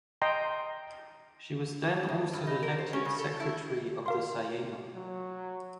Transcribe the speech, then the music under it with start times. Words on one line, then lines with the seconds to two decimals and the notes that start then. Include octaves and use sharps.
She was then also elected Secretary of the Saeima.
0.22 D#5 G5 A#5 C6
2.09 F2
2.33 G2
2.47 D#4
2.63 A#4
2.78 C5
2.93 C#4
3.05 C#3
3.19 A4
3.40 E4
4.06 A#4 F5 C6
4.94 F#3